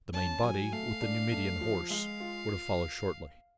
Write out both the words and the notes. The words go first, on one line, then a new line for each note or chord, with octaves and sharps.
The main body, with the Numidian horse, were to follow shortly.
C#4 A5
F#3 G#5
A3 F5
D4
A3
F3
G#3 F5
F4